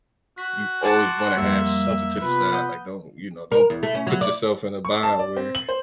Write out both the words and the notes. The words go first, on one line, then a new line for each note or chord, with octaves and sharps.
you always wanna have something to the side, like don't, you know, don't put yourself in a bind where
F#4 B6
F#5 A5 C6 D6 F#6
F2 G3 A#3 E5
C3 B3 F4 B4
F#5 D#6 G6
A#4
E2
A3
C#4
F#3
D5
C#6
A5
D5
C4
F#7
C5